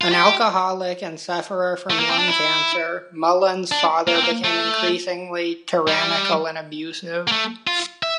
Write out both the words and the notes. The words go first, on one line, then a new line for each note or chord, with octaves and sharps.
An alcoholic and sufferer from lung cancer, Mullan's father became increasingly tyrannical and abusive.
F4
G4
A3
A#3
C4
D4
E4
D4
A#3
C4
A#3
A3
G3
A#3
A3
F4
E5